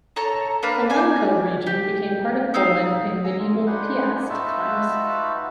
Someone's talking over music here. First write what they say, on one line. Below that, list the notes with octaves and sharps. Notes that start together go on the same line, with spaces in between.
The Lemko region became part of Poland in medieval Piast times.
A4 C#5 A#5
A#3 D4 B4 F5
D5 G#5
G4
D#4 F5 E6 G6
G#4 A#5 D#6 E6
F4
D4 D#4 B4 C5 F#5 G#5
D#4 F4 F#4 B4 E5 A5